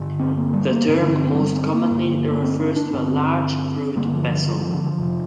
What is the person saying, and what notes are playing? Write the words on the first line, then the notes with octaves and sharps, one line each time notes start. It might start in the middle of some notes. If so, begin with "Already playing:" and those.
The term most commonly refers to a large, crewed vessel.
Already playing: G2 D3
C4
A#3
G3
A#3
G2 D3 C4
D4
C4
C4
F3
G3
C4
A#3
G2 D3
A#3
C4
D4
D4
G2 D3 C4
G2 D3 A#3
F3
D3
F3
F3
D3
F3
F2 C3